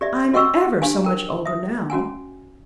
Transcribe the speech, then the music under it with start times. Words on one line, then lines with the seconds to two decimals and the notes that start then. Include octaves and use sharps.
I'm ever so much older now....
0.01 G4 D5 E5
0.34 F#4 D#5 F#5 G5 C#6 E6
0.82 D4 G4 F5 G#5
1.05 A#4 G5
1.45 E5 D#6
1.90 C#4 F#4 F#5 G#5